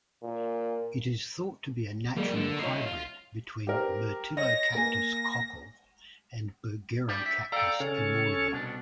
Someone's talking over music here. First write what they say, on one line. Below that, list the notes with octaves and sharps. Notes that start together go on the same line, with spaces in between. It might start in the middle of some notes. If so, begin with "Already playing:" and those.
It is thought to be a natural hybrid between "Myrtillocactus cochal" and "Bergerocactus emoryi".
A#2
F#3 G#3 A#3 D5
D3
D#4 F4 C#5 C7
F4
G4 A#4 C5
C#5 D#5 A#6
A#3 G#5
D4 G4 D5
E5
A4 D5 F5 G5 A#5
C#3 C#4 A4 C#5
C2 B2 D4